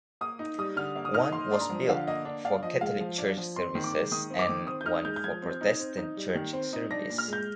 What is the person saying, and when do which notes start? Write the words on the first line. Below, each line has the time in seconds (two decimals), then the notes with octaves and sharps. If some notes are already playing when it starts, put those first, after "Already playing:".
One was built for Catholic church services and one for Protestant church service.
0.21 A#3 D#6
0.39 D#4
0.58 G3 D#6
0.76 D3 F6
0.96 A#3
1.05 D#6
1.14 D#4 F6
1.23 D#6
1.32 A#3 C6
1.51 D4 C6
1.60 A#5
1.70 F3
1.88 D3 F5
2.07 A#3 D#5
2.25 D4
2.45 D4 F5
2.63 F3 D#5
2.81 G#3 F5
3.00 F3
3.18 D4
3.37 F3
3.56 C4 C6
3.75 D#3
3.84 D6
3.94 G#3
4.11 D#3 D#6
4.30 C4
4.39 D6
4.49 D#3
4.67 C4 D#6
4.81 G6
4.86 D#4 F6
5.04 G#3 G6
5.16 G6
5.24 F3 G#6
5.42 C4
5.61 D#4
5.79 C4
5.97 D#4
6.17 G3
6.35 D#3
6.53 C4
6.73 D#4
6.91 D4 A#6
7.10 A#2
7.18 F6
7.28 G#3 G6